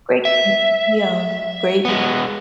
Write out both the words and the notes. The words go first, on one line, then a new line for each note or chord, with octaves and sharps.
Great, m yum, great
E5
G#3 B3